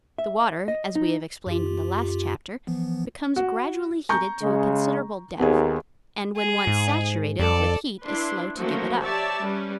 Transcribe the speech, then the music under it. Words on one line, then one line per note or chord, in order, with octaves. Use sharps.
The water, as we have explained in the last chapter, becomes gradually heated to a considerable depth, and when once saturated with heat is slow to give it up.
E5
D#5
D#4
F#2 F4 G4
E3 F3 B3
F#4
A#5 C#6 G6
C#3 G#3
D#2 B3 G#4
G#4
G#2
F2 A4 D5
D4 E4 B4 C6
F3 F#3 A3 A#3 C#4 F#4
G4 C#5 D5 E5 A5
G3 C#4 B4